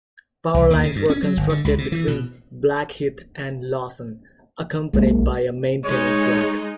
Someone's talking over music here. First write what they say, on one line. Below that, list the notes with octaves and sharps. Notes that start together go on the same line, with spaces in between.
Power lines were constructed between Blackheath and Lawson, accompanied by a maintenance track.
C2
D#2
C#3
G2
C#4
F#3
G1
D3
C#2
C3
E3
B2
B1 G#3 A#3
G#3 D#4 C#5